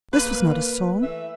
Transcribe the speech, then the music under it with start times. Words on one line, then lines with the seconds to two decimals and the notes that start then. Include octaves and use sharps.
This was not a song.
0.13 A#3 B4
1.02 E3 A3 E5